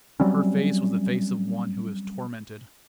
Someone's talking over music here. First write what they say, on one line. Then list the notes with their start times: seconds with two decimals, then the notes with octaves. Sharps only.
Her face was the face of one who is tormented.
0.20 F#3 G3 C4 C#4